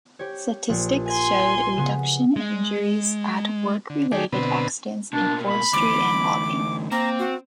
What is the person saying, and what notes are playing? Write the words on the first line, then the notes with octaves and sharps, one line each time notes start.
Statistics showed a reduction in injuries at work-related accidents in forestry and logging.
G4 C#5
A#1
G#5 C6
C#3 B3
G#3
D3
D#3 A3 G4 G#4 D5
B2 D3 C4 B4
B2 A#3 D4
B5
D2 E3 D6
A#3 C4 A#5
F#4